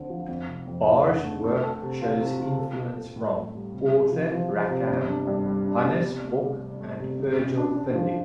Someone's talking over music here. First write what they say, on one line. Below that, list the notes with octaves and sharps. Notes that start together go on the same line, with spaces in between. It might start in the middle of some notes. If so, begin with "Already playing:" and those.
Barr's work shows influences from Arthur Rackham, Hannes Bok and Virgil Finlay.
Already playing: D2 D3 C4
F3
F2
F1
F2
A3
D3
A3
A3
A4
C3
F4
C3
F4
A4
F4
A4
A2
A4
G3
C3
C3
F3
F3
F3
C3
G1
D4
G2
G3
D4
G1
C3
A3
C3
C3
A3
C3
A1
A1
D4
D4
F3